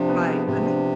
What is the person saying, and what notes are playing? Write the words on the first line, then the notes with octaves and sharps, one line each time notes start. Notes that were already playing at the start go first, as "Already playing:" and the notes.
Right. I mean
Already playing: C3 F3 D4
B3
G#4
C3 F3
D4